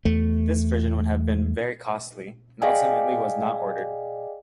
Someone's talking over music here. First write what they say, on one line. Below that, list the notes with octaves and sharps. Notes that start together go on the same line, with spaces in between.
This version would have been very costly, and ultimately was not ordered.
E2 A3
G#4 D5 D#5 F5 G5 G#5